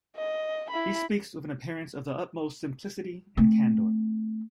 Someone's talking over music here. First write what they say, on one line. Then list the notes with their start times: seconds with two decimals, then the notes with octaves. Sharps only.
He speaks with an appearance of the utmost simplicity and candour.
0.16 D#5
0.71 E4 B5
3.37 A3 C4